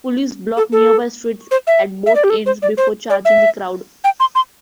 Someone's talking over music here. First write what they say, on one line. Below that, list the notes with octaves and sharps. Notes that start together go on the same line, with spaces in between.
Police blocked nearby streets at both ends before charging the crowd.
A4
A4
C5
E5
E5
D5
G4
A4
C5
D5
C5
D5
E5
G5
C6
C6